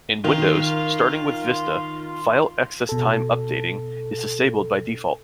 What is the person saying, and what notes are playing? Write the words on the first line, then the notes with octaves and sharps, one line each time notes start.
In Windows, starting with Vista, file access time updating is disabled by default.
D#3 F4
B2 A4